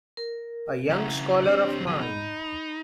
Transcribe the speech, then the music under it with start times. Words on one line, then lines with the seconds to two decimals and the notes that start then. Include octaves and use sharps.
A young scholar of mine.
0.17 A#4
0.90 C#3 E4 F#5 A#5
1.43 D2 C4 D4 G4 C#5
1.87 D3 F#3 B3 G#4 F#5
2.02 D#4 B5